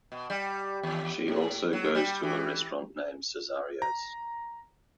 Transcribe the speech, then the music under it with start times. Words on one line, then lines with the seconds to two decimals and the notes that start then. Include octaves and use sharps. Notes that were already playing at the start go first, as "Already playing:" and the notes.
She also goes to a restaurant named "Cesario's".
0.12 B2
0.30 G3
0.83 D#2
1.28 A2
1.73 F#3
1.95 G3
2.23 E3
3.82 A#5